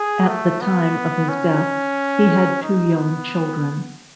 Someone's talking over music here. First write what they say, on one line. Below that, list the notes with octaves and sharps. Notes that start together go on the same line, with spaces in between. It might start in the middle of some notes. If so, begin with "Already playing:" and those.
At the time of his death, he had two young children.
Already playing: G#4
A3
B3
C#4
D#4
B3